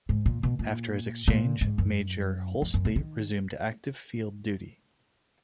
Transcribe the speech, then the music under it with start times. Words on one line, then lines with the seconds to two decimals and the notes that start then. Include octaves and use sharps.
After his exchange, Major Hulsey resumed active field duty.
0.09 G#2
0.26 A#2
0.43 B2
0.59 A#2
1.28 A#2
1.61 G#2
1.78 F#2
2.62 F2
2.74 F#2
2.85 B2
2.96 D#3